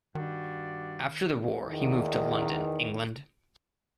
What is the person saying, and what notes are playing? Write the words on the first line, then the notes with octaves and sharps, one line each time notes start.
After the war he moved to London, England.
G2 D#3 F#4 D5
E2 D#3